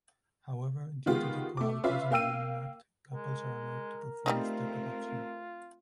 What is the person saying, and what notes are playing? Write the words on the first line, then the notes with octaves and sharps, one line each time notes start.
However, due to the Cohabitation Agreement Act, couples are allowed to perform step-adoption.
D#3 G#3 B3 F4 G4
A3 D6
C#4 F4 B4 E5 F5
A#3 F5 G5 E6 D#7
G#3 A#4
G3 A3 C4 D4 D#4 F4